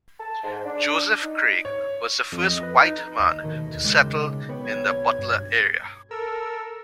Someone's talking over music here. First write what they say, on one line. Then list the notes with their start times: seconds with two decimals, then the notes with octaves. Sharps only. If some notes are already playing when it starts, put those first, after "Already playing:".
Joseph Craig was the first white man to settle in the Butler area.
0.19 A5
0.44 G#2
0.64 D4
1.21 D#4
1.65 C#5
2.32 F2
2.47 D#5
2.63 B4
2.81 D#4
3.20 D#2 D#5
3.41 B2 D#3 A3
3.84 C#3 G#3 D5 G5 E6
4.49 B3 B4 C#5 G5
4.64 B1 G#6
5.19 G2
6.11 A4 A#4 E6